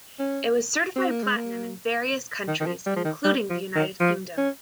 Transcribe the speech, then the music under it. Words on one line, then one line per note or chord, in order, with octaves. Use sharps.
It was certified platinum in various countries, including the United Kingdom.
C#4
C4
A#3
G#3
A#3
D#3
D#3
F3
G3
F3
D#3
G3
F3
D#3
F3
C#4